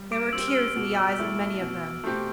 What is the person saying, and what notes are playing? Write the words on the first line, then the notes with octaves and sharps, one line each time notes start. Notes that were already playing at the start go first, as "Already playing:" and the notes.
There were tears in the eyes of many of them.
Already playing: G3
D6 D7
C4 G4 E6
F6
E6
B2
A3 E4 A4
B2
A3 C4 G4